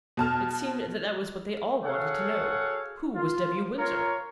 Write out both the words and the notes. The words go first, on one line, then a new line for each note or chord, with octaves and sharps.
It seemed that that was what they all wanted to know: Who was W. Windsor?
B2 A5 F6
F#4 G#4 A4 C#5 F5 F#5
F4
F4 A#4 C#5